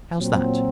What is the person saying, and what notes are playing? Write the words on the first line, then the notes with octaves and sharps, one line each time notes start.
How's that?
A#2 F#3 C4